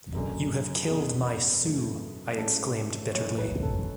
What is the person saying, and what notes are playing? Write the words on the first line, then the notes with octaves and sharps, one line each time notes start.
'You have killed my Sue,' I exclaimed bitterly.
F#1 F#2 D3
F#1 E2 B2 G#4
F#2 C#3 E3 A3
A1 A2 E3 G#3 C#4 A4
F#1 F#2 E3 A3 C#4 C#5
B4
A4